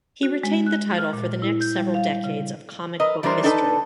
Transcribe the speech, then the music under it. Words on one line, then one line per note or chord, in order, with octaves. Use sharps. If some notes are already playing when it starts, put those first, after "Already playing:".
He retained the title for the next several decades of comic book history.
F#4
G#3
F#6
F6
A#2
E4
G6
G3
F5
C#3
A#4 B4 D#5
E3 G3 D4 A#4 C5
D4 D#4 A4 B4 G#5 A5